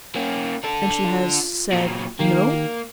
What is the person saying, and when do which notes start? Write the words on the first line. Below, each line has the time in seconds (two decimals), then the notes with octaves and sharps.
"And she has said No?"
0.16 A#3 C#4
0.64 D4 A4
1.04 F4
1.72 A#2 F#3
2.19 D#3 A#3 G4